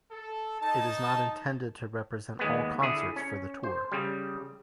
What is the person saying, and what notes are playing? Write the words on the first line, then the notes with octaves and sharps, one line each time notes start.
It is not intended to represent all concerts for the tour.
A4
D#4 A5
D#2 G#3 B3
D3 E4 G#4
C#4
C5
C#3 G3